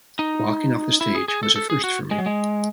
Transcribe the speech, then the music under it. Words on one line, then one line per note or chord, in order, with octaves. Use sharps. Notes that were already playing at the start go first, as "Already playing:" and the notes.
Walking off the stage was a first for me.
D#4
E4
G#4
G#4
A4
A4
G#4
F#4
G#3
F#3
G#3